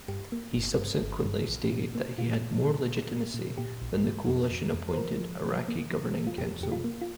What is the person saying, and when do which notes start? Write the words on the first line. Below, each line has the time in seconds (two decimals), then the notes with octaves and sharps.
He subsequently stated that he had more legitimacy than the Coalition-appointed Iraqi Governing Council.
0.08 G2 G4
0.32 A#3
0.55 G1
0.78 G2
1.02 G1
1.24 G2
1.48 A#1
1.72 A#2
1.95 A#3
2.18 A#2 F4
2.41 A#2
2.65 A#2
2.88 A#2
3.11 A#3
3.34 A#2
3.57 A#2 G4
3.82 A#1
4.04 A#3
4.28 F2
4.51 F2
4.74 F2
4.93 C5
4.97 F3 A#4
5.20 F3
5.44 F3
5.68 A#3
5.90 F3
6.15 A#3
6.27 F4
6.38 F2 G4
6.61 F2 G4
6.72 F4
6.84 A#3
7.01 F4